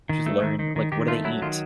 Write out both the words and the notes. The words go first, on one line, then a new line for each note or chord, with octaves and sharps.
Just learn, like, what do they eat?
D#3
A3
D#3
D#3
D#3
D#3 G4
A3 F4
F#3 E4
D#3 F4